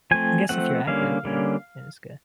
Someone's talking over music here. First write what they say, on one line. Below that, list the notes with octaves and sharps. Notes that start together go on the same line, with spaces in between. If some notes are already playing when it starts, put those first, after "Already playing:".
guess if you're active, you know, then it's good.
F3 A3 C4 G#5
F3 A3 C4 F#5
D3 G3 A#3 C#4 F5
D3 G3 A#3 C#4